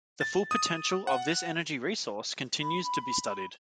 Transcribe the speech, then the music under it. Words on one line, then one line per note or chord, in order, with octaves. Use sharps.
The full potential of this energy resource continues to be studied.
A6
D#6
F#5
B5